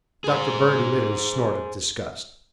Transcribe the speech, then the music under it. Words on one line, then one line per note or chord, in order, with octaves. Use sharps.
Dr. Bird emitted a snort of disgust.
G#4 C5